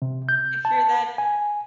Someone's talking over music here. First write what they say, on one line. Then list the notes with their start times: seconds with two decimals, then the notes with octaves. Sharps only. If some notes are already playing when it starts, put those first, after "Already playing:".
If you're that
0.02 C3
0.29 G6
0.65 A5
1.18 G#5